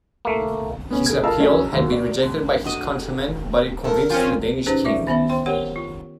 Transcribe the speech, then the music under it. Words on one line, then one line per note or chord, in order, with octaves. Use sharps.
His appeal had been rejected by his countrymen, but it convinced the Danish King.
A3 A#3
B3 C#4
G#4 A4 G#6
F4 A#4 D#5 F5 A5 E6
F#3 C#4 G#4 D#5
D#2 F#3
F#4 D5
D3
D4 F#4 D#5
G2 A4 A#4
F3 C4 C#4 F4 G4 G#5
C#4 D#4 G4 G#4 B4 C5
F4 D5 E5 D6
D#3 B3 E5 B5
C5 G5 C6
G4 A#4 C#5 F#5 G5
F4